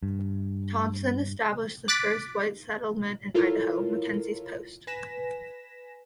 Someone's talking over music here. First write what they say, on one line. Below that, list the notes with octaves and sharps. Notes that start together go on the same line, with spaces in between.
Thompson established the first white settlement in Idaho, MacKenzie's Post.
G2
D6 F#6 A6 B6 D7
E4 F4 A4 A#4 C#5
B4 G#5 A#6 B6 E7